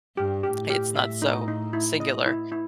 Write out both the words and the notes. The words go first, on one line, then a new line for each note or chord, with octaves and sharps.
It's not so singular.
G2 G4
G4
A2
G4
E5
D#4
D#4
E4
D#5
E4
E4